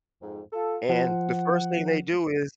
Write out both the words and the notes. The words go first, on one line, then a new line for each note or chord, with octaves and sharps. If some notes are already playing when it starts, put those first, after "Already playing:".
and the first thing they do is
F2 G#2
F4 A4
F3 F#5